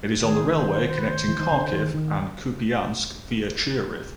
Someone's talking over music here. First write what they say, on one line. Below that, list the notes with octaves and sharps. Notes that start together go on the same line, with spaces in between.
It is on the railway connecting Kharkiv and Kupiansk via Chuhuiv.
D#3 G#4
C5
C5
B4
C5
E3
D#3
D3
D#3
D#3